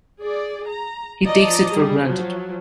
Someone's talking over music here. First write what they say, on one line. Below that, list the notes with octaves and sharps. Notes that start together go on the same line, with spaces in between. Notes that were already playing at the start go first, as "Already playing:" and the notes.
He takes it for granted.
G#4 D5
A#5
F3 D5 D#5 A5 A#5
G3 G#4
F3 F#3